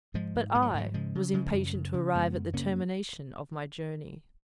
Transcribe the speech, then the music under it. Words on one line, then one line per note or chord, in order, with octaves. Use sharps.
But I was impatient to arrive at the termination of my journey.
G#2 F3 G#3
G#2
G#2 G#3
F#3
F3
G#2 D#3 F#3
C#3 F3 G#3
C#3
C#3 F3 G#3
F#2
C#3
C#3
F#2 G#3 B3
F#2
C#3 A#3 C#4